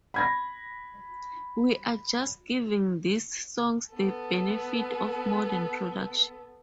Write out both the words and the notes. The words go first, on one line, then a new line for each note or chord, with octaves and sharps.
We are just giving these songs the benefit of modern production.
B5 G#6 A#6
B3 A4